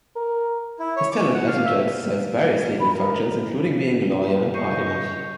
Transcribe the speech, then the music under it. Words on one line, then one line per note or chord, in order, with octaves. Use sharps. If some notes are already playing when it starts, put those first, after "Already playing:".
His talent led him to exercise various legal functions, including being a lawyer in Parliament.
A#4
E4
C#5
D6
F#5
F5
E5
B5
A#4
C#3 D#5 C#6 G6 C7 C#7 D#7